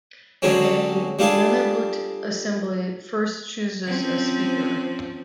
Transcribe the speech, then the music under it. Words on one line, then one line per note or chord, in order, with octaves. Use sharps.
A Nunavut Assembly first chooses a Speaker.
D3 F#3 G#3 C4 C#4
G3 D4 F4 G#4 A4
F3 C4 C#4